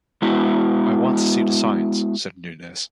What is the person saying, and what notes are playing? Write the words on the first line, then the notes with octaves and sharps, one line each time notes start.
"I want to see the signs", said Nunez.
G#3 B3 E4 F#4